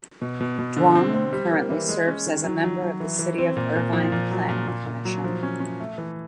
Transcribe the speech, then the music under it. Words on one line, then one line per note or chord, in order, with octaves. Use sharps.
Duong currently serves as a member of the City of Irvine Planning Commission.
B2
B2
B2
D3
C4
C4
G3
A#3
E3
G#3
C#4
D#3
F#3
F#3
F#3
E3
E3
C4
A#2
A#2
F3
A#2
F#3
A#2
A#2
A#2
F#3
F3
C#4
C#4
A3
E3